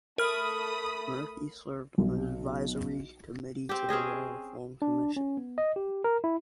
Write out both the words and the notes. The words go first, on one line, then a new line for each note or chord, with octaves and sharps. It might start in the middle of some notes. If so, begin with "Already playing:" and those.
Murphy served on an advisory committee to the Law Reform Commission.
A3 A#4 B5 D#6 F6
B1
C4 G4
C4 C#4 G#4 D#5
D4
C#4
B3
D#5
G4
A#4
E4